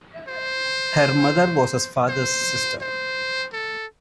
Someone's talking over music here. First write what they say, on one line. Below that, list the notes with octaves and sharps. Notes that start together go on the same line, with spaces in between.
Her mother was his father's sister.
C5
C5
C5
A4